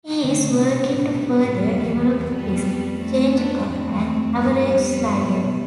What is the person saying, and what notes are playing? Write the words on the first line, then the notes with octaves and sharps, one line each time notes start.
He is working to further develop his changeup and average slider.
D3 A3 C4
C3
G3 B3
B2
A2
B2
B2
A2
F2
E2
E2
F2 G3 B3
A3 C4
B3 D4
F2 A3 C4
E2
F2
G2 G3 B3
G2
F2
G2
A2
A2
B2